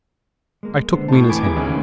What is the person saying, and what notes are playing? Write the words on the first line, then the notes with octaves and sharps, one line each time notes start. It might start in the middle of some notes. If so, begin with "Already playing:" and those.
'I took Weena's hand.
G#3 A#3
D3 B3 C5
A2 D#4 A5
E2 E3 C4 B4 G#5 D6
C3 A#3 G#4
D2 D#3 G#3 C#4